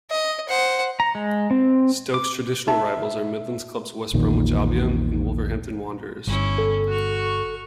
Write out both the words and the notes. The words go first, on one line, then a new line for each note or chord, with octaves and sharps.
Stoke's traditional rivals are Midlands clubs West Bromwich Albion and Wolverhampton Wanderers.
D#5
C5 F#5
A#5
G#3
C4
D6
D#4 E5
A#1 E2 A#2 D#3
G1 C#4 E4
A4
F#4 C#6 F6